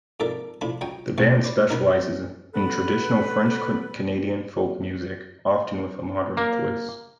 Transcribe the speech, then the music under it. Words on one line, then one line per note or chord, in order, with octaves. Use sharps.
The band specializes in traditional French Canadian folk music, often with a modern twist.
F2 G#2 A4 A#4 D5 E5
A2 F3 D4 B5
C#2 F#3 C#5 D#5 G5
B1 D3 A3 C4 C#6
B4 C5 D5
D#2 B2 D#3 A#4 B4 B5
B3 A4 B4
A#3